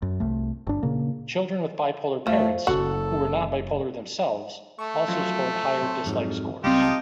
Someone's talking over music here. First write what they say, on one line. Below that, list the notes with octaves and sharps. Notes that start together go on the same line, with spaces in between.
Children with bipolar parents who were not bipolar themselves also scored higher dislike scores.
F#2
C2 A3
G1 D4
A#2 C#3 A#3
F2 F3 A3
F#1 C#3 F#4 A4
A3 C#6
F3 F#3 C#4 F4
C4 C5 C#5
F2 G#2 F#3 F6
C#2 G3 C4 D#4 F4 G4
A5 D#6